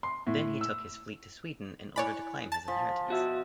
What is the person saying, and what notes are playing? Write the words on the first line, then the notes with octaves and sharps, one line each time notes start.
Then he took his fleet to Sweden in order to claim his inheritance.
C6
A2
E6
E4 C#5 D5 G#5 B5 F#6
A5 A6
F3 G#5
B2 F#4 E5